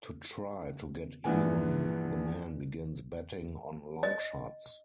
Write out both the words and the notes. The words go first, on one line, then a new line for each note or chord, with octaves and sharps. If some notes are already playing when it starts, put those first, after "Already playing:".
To try to get even, the man begins betting on long shots.
A#1 G2 E3 F#5 G#5
D#5